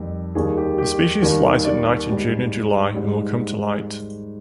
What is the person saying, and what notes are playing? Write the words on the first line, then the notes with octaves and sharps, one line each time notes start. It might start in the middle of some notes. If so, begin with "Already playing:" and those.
The species flies at night in June and July and will come to light.
Already playing: F2 D#3 G3 G4
D#2 D#3 G3 G#4
G4
G4
D#2 D#3 G3
D5
G#2 G3
G#2 G3